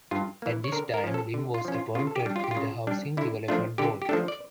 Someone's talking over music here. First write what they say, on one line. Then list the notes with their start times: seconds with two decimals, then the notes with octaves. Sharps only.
At this time, Lim was appointed to the Housing Development Board.
0.11 G2 F4
0.42 E3 A#3
0.64 C#5
0.72 D3 A#4
0.94 A#4
1.04 F3 C#4
1.14 A4
1.34 D3
1.54 F4
1.65 F3 C#4
1.75 F4
1.95 C#3 F4
2.07 A4
2.16 G4
2.26 G3 D4
2.36 F4
2.44 G4
2.51 F4
2.57 C#3
2.87 G3 D4
3.17 D3 E4
3.48 F3 A3 D4 F4
3.78 D3 G4
4.02 G4
4.09 F3 A3 D4 A4
4.28 D5